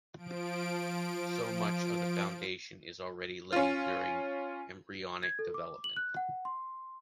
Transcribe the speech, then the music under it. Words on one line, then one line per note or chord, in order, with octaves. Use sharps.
So much of the foundation is already laid during embryonic development.
F3 D7
C#4 F4
G#6
A4
D6
F#7
F#6
F#5
C6